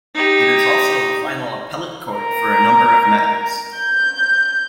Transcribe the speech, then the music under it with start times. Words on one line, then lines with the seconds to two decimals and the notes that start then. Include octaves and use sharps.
It is also the final appellate court for a number of matters.
0.15 D#4 G4
2.15 A#4
3.77 G6